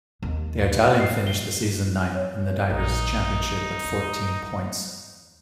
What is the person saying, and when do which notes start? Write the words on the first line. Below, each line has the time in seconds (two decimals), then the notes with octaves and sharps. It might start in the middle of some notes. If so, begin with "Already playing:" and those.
The Italian finished the season ninth in the Divers' Championship with fourteen points.
0.22 D#2 G#3
1.00 C7
1.27 G7
2.15 C#5
2.70 A#1 D#3 D#4
3.84 E2